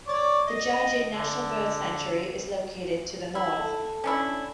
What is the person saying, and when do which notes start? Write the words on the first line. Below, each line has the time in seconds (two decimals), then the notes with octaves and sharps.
The Djoudj National Bird Sanctuary is located to the north.
0.07 C#5 D5
0.48 D#5
1.11 D3
3.35 E4
3.59 A4
4.04 C#4 D4 E4